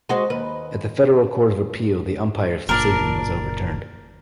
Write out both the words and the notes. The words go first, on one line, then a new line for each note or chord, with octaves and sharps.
At the Federal Court of Appeal the Umpire's decision was overturned.
G#3 F#4 C5
D#2 B4
F#1 A#2 D4 A#4